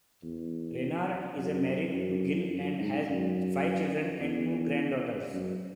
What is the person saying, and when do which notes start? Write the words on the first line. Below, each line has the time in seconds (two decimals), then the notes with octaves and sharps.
Reynard is married to Gill and has five children and two granddaughters.
0.23 E2
1.37 F#2
1.93 F#2
2.50 F#2
2.79 G#2
3.07 F#2
4.20 E2
5.33 F#2